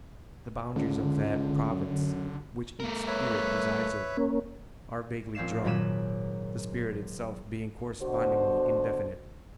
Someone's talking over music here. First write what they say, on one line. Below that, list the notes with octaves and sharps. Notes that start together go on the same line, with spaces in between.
The boundaries of that province which each spirit presides over are vaguely drawn, the spirit itself being correspondingly indefinite.
C#2 D3
F#2
A3 A#4
B4 C#5 E5
A#3 C#4
A#1 C4 C#4 F5 C7 E7
G#1 A#2 F#3 B5 D#7 E7
B2 D3 F#4 C5